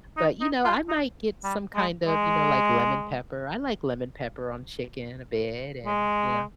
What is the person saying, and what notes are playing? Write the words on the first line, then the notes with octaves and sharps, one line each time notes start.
but, you know, I might get some kind of, you know, like lemon pepper. I like lemon pepper on chicken a bit and, you know.
D#4
D#4
F4
D#4
G3
G#3
G#3
G#3